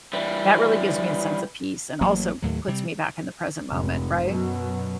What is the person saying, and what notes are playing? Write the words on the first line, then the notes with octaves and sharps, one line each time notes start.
that really gives me a sense of peace and also puts me back in the present moment, right?
E3 G3
A1 F#3 A#3
D#2 A2 F#3
C3 G3
F1 G#2
F#2 B2 F#3